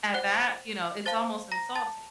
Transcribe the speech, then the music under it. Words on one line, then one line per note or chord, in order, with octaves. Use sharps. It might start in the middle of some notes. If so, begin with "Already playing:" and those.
at that, you know, it's almost insulting.
C5 F#5 F#6
C5 F5 A5 A6
A#5 A#6
A5 A6